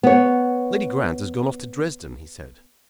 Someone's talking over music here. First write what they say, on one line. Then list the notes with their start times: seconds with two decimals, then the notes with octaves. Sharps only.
"Lady Grant has gone off to Dresden," he said.
0.03 B3 C#5